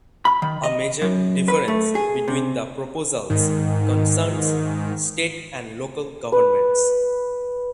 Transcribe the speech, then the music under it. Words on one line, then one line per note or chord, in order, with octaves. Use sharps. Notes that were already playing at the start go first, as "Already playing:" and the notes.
A major difference between the proposals concerns state and local governments.
B5
D#3
D#5
F#2
B4
A3
G#4
C3
G#2 D#3
B4